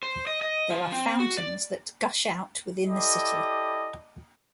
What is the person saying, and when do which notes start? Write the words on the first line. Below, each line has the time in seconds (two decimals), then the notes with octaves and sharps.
There are fountains that gush out within the city.
0.03 C5
0.27 D#5
0.42 D#5
0.70 F3
0.92 C4
1.20 F#4
1.37 D5
2.86 E4 G4 A4 D5 D#5